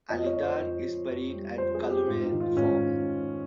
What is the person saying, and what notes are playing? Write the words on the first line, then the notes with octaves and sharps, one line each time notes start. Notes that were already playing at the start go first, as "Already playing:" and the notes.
Alydar is buried at Calumet Farm.
F2 D#5
C#5
F2
C5
F2
F2
F2
G3
F2 C5
G#4
F2
G4
G#2 F4
D#4
D#3
F4
G#2 C#4